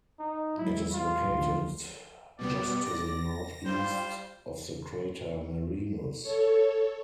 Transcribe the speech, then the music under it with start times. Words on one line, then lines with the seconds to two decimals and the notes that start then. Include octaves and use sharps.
It is located just to the northeast of the crater Marinus.
0.19 D#4
0.57 F#3 G#3 E4
0.93 G3 F4
1.28 D2 F3
2.39 B2 G3 B3 D5
2.85 A#6
3.65 G3 F4 C5
6.22 A4 C#5